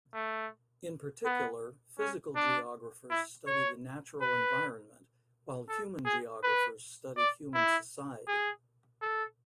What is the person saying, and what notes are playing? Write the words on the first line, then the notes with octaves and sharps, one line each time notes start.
In particular, physical geographers study the natural environment while human geographers study human society.
A3
B3
C#4
D4
E4
C#5
B4
A4
G#4
B4
D5
E4
G#4
A4